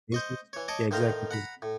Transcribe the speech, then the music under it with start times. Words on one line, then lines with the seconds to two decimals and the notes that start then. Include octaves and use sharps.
this is Yeah, exactly, 'cause
0.12 C5 D#5 C#6
0.53 E3 C#5
0.68 C#5 D#5 A5 C#6 D6
0.91 A2 D#3 C5 F5 A#5
1.31 F#5 A#5 B5
1.62 A2